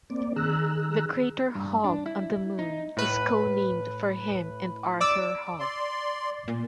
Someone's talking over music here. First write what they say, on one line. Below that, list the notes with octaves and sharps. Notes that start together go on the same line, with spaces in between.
The crater Hogg on the Moon is co-named for him and Arthur Hogg.
A#3 C4 D5
D#3 G#4 A#5 E6 F#6
G2
D4
E4
D#4
A2 B4
D5 D6 E6
D5 C6
A#2